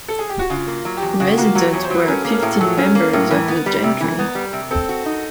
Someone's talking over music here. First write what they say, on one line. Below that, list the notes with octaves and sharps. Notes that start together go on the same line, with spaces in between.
Resident were fifteen members of the gentry.
A4
G#4
G4
F#4
C#3 F4
A#3
F#3
E2 G4
C#3 F#4
F4
A#3 F#4
F#3
E2 C#5
C5
F#3 B4
C#4 A#4
A4
G#4
A#3 A4
A#4
A2
A4
F#3 G#4
C#4
A#3
A2
E3 A#4
B3
G3
C3
E3
B3
G3
C3
C4 A4
F#4
D#4